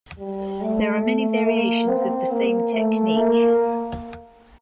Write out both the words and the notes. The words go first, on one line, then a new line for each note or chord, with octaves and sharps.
There are many variations of the same technique.
G3
A3
A#3
C4
A#3
A3
A#3